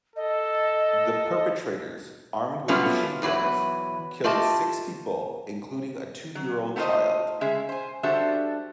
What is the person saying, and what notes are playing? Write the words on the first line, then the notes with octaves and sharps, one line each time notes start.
The perpetrators, armed with machine guns, killed six people including a two-year-old child.
A4 D#5
F#3 G3 A3 B3 C#4 F4
E2 E3 F#3 B4
A3 F4 G4 D#5 A5
F#3
A3 B3 D#4 F4 C5 D#5
C#3 G#3 G#4 E5
C5 G#5
G3 D4 F#4 A4 C5 E5